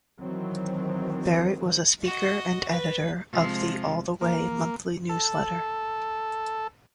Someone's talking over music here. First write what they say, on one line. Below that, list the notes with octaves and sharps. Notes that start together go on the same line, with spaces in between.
Barrett was a speaker and editor of the "All The Way" monthly newsletter.
D#3 E3 F#3 C4
F#4 D#5
B4
C3 F3 G#3
A#3
A4